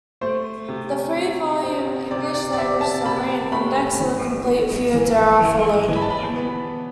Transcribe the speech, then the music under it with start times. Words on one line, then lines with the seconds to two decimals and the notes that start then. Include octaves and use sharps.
A three-volume English-language summary and index of the complete "Foedera" followed.
0.21 A3 C5
0.69 C3
1.16 C3
1.63 C4
2.11 C3 D5
2.34 D5
2.53 D5
2.58 C4 E5
2.81 A5
3.05 C3 B5
3.52 A3 B5
4.00 E3
4.47 B3
4.94 E3
5.41 E3
5.88 E3
5.95 B5
6.02 A5
6.10 B5
6.36 B3